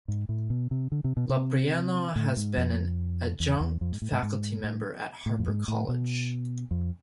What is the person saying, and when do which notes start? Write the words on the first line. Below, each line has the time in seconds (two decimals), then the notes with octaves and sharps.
Loprieno has been an adjunct faculty member at Harper College.
0.08 G#2
0.29 A2
0.50 B2
0.71 C3
0.92 D3
1.04 C3
1.17 B2
1.29 C3
2.16 A2
2.37 G#2
2.57 F2
3.40 E2
3.60 E2
3.81 F2
3.92 G#2
4.02 A2
4.12 G#2
4.23 G#2
4.64 A2
5.26 A2
5.39 F2
5.48 G#2
5.68 A2
5.89 B2
6.71 F2